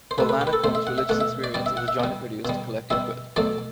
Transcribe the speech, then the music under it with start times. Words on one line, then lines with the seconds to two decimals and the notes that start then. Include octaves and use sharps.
For Iannaccone's religious experience is a jointly produced collective good.
0.11 C5
0.18 B2 A3 B4
0.29 B4
0.41 G4
0.47 B4
0.53 A4
0.64 B2 A3 C5
0.75 E5
0.87 F#5
0.98 E5
1.09 B2 A3 F#5
1.21 E5
1.44 D5
1.54 B2 G3 D5
1.66 E5
1.77 F#5
1.88 E5
2.00 B2 G3
2.45 B2 G3
2.90 B2 G3 E5
3.36 B2 F#3 A3 D5